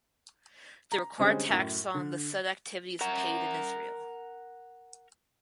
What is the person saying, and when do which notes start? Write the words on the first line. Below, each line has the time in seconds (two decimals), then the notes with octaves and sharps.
The required tax on the said activity is paid in Israel.
0.92 A#5
1.19 D3 G3 G#3 C4 C#4
1.49 F#2 A2
1.94 D3
3.01 A#4 F#5 A#5